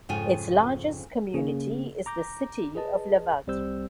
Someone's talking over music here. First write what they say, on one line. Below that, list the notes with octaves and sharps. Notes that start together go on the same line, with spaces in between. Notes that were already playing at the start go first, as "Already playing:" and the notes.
Its largest community is the city of Lavaltrie.
F2 G#2 C#3 F4 G5 G#5
C#3 A#3 C#4 G#4
A#5 D6 G6 A#6
G#4 B4 D#5 A5
C2 G3 C4 C5 E6 G6